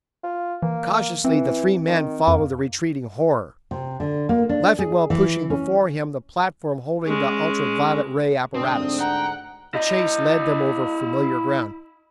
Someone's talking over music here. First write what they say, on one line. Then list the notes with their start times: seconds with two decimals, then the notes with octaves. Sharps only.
Cautiously the three men followed the retreating horror, Leffingwell pushing before him the platform holding the ultra-violet ray apparatus. The chase led them over familiar ground.
0.24 F4
0.63 E3 A#3
1.25 E3 C4
1.88 D#3
2.28 F2 A#3
3.71 C3
4.00 D3
4.29 A#3
4.49 D4
4.79 G#4
5.10 E3
5.50 C#4
7.06 G#3 C#4
8.55 D2 G#2 C4 D4 D#6
8.99 F#5 G5 A#5
9.74 E4 D#5